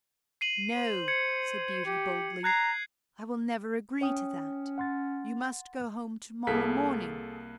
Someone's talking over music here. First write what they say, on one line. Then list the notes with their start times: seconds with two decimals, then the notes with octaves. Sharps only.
"No," said Beauty, boldly, "I will never agree to that; you must go home to-morrow morning."
0.41 C7 D#7 F#7
0.76 C5
1.08 G#6 C#7
1.85 G4
2.44 A#5 F#6 G#6 C7
4.01 C#4 C#5 G5 D#6
4.78 F#5 C6 A6
6.47 C2 A#3 G#4 A4 B6